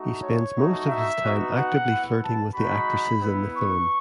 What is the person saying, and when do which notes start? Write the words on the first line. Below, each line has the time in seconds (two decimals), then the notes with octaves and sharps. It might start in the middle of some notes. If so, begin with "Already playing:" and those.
He spends most of his time actively flirting with the actresses in the film.
Already playing: A3 D#4 F#4
0.23 C#5
0.56 A3 D#4 F#4
0.88 E5
1.22 B3 D#4 F#4
1.56 F#5
1.89 B3 E4
2.23 A5
2.55 G#3 D#4 F#4 B5
3.22 B3 E4
3.55 C#6